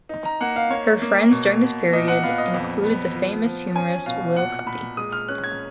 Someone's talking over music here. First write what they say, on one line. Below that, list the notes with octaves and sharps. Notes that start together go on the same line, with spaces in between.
Her friends during this period included the famous humorist Will Cuppy.
D#4
A#5
A#3 F#5
F5
A#3 C#5
A#3
B2
B2
A#2 D#5
F#5
B3 F5
D#5
F2
B3
F3
F3
C#4 G#5
B2 F5
A#2 F#5
A#2 B5
G#3 D#6
F6
C#4 F#6
G#6